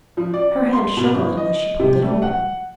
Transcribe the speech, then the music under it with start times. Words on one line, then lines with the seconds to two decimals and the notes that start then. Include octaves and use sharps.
Her hand shook a little as she pulled it open.
0.17 F3
0.34 D5
0.73 C6
0.97 B2
1.15 G1
1.37 D#5
1.79 C3
2.02 A3
2.22 F#5